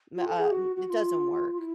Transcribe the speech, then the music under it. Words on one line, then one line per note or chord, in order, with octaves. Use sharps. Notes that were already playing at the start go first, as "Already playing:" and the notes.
ma uh, m it doesn't work.
F4
A4
G#4
F#4
F#4
F#4
F4
E4